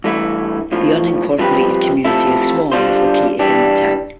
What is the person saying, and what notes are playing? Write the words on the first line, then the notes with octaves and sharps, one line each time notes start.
The unincorporated community of Swan is located in the town.
G2 E3 A3 E4
B1 A2 F3
G2 F3 C4 G4 B4
C3 F3 A3 E4 A4
D3 G3 D4 F4 C5
E3 G3 D4